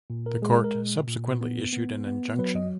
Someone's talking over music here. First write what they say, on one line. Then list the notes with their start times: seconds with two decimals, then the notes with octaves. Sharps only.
The court subsequently issued an injunction.
0.10 A#2
0.26 A#4
0.42 G#3 G#4
0.64 A#4
0.75 A#2
1.08 A#2
1.41 B3
1.73 B3
2.06 B3
2.39 F#3 B4
2.55 D#5